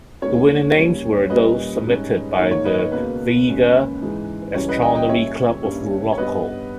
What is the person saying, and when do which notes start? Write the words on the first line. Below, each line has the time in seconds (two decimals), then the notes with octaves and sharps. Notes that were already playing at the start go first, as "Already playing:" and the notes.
The winning names were those submitted by the Vega Astronomy Club of Morocco.
0.22 D#2 D#3 G#3 C#4 C#5
0.75 D#2 C#3 G3 C#4
1.30 A#2 G3 C#4 B4 D#5
1.84 G#2 G3 C#4
2.33 D#5
2.38 G#2 D#3 A#3 C#5
2.51 C#5
2.65 B4 D#5
2.79 C#5
2.92 C#2 B2 A#3 B4
3.47 D#2 C#3 G#3 C#4
4.01 G#2 E3 G#3
4.55 C#2 C#3 E3 G3 C#5
4.69 B4 D#5
4.82 D#5 G5
4.95 D#5 G5
5.09 A#2 G3 C#4 C#5 E5
5.63 G2 G3 A#3 C#4
6.13 C#5
6.17 G2 G3 B3 B4 D#5